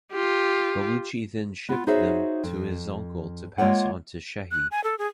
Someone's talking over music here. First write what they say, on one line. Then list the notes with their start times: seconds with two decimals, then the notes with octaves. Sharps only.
Baluchi then shipped them to his uncle to pass onto Shehhi.
0.13 F4 G4
1.69 B3 F4
1.87 D#4 F#4 G#4 C5 C#5 E5
2.43 F2
3.58 G#3 A#3 F4 C#5 F#5
4.51 F#6
4.71 G#5
4.84 A4
4.99 G#4